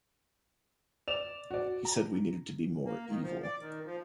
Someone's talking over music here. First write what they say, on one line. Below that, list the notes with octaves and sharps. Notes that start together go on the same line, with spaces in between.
He said we needed to be more evil.
D5 E7 F7
F#4 D5
A#5
A#3
D#3
F3
D5
D#3
F3